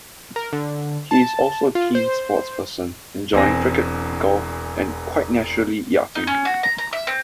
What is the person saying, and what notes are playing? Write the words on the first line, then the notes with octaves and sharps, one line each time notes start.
He is also a keen sports person, enjoying cricket, golf and quite naturally yachting.
A#4
D3
A5
F4
C5
E1 E2 C4 G#5 A#6
D#4
C#4
F#4
A#5
A#5
E5
C4